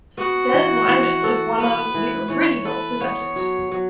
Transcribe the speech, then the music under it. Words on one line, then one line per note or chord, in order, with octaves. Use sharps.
Des Lynam was one of the original presenters.
B3 F#4
E3
E3
A4
B3 B4
E3
E3 C#5
A4 B4
B3 C#5
F#3
F#3